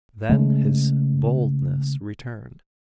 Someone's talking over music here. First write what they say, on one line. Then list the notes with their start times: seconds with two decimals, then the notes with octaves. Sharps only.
Then his boldness returned.
0.29 C#3 G#3 A3